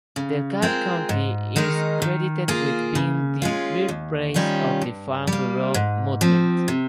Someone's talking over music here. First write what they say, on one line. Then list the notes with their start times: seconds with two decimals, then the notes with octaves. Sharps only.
DeKalb County is credited with being the birthplace of the Farm Bureau movement.
0.16 C#3
0.62 G#3 C4 F4 A#4
1.09 G#2
1.56 D#3 G#3 D#4 A#4
2.02 D#3
2.48 A#3 F4 G#4
2.95 C#3
3.42 G#3 C#4 F4
3.88 D#2
4.34 D#3 G3 C#4 F4
4.82 G2
5.27 G3
5.32 A#3
5.74 G#2
6.21 F3 C4
6.68 C3